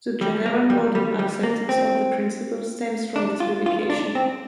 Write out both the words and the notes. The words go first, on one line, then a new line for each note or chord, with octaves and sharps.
The general modern acceptance of the principle stems from this publication.
G3
A#3
G3
G3
G3
A#3
C4
D4
F4
F4
D4
C4